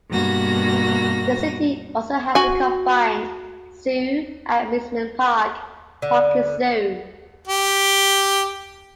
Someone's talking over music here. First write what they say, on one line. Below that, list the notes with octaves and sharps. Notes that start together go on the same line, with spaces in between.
The city also has a combined zoo and amusement park - Parken Zoo.
G2 B2 A#3 F#4 A#6
F#4 G#5
D3
G4